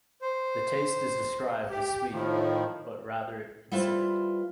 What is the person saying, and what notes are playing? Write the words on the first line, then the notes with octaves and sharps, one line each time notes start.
The taste is described as sweet but rather "insipid".
C5
G4
A2 D#3 F3
G3 E4 F4 B4 C5